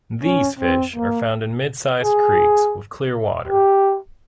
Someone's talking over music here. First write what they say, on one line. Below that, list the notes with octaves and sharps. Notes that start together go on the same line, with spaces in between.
These fish are found in mid-sized creeks with clear water.
C#4
C4
A#3
G#4
G4